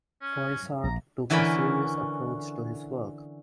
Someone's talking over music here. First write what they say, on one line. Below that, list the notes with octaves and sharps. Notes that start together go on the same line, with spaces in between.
Froissart took a serious approach to his work.
C#4
A#1 A#5
D3 E3 C#4 A#4 D5 B5